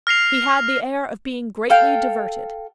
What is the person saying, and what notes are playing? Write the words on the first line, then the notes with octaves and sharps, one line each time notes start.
He had the air of being greatly diverted.
F6 A#6 C7 F7
A4 F5 G5